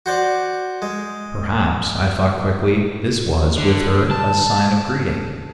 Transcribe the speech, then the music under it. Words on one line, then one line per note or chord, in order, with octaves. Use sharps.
Perhaps, I thought quickly, this was, with her, a sign of greeting.
F#4 C5 D5
G#3
D3
A5